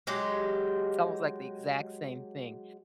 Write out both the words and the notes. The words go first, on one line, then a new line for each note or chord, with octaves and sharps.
it's almost like the exact same thing,
F#3 G#3 G4